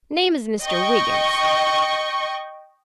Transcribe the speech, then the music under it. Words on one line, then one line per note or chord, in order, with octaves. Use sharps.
"Name is Mr. Wiggins."
D#5 G5 C#6